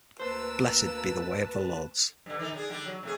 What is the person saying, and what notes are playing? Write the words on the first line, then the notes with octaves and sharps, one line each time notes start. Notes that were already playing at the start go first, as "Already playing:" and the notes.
Blessed be the way of the Lords.
D2 A#3 B4 C5 A5 E6
G2 D3
D#3 D#4 A4
D3 D4 G#4
D3 G3 D4
F#3
C3 A3 G#4